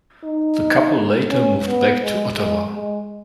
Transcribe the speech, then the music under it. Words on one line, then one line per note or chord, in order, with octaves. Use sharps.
The couple later moved back to Ottawa.
D#4
C#4
B3
G#3
G#3
G#3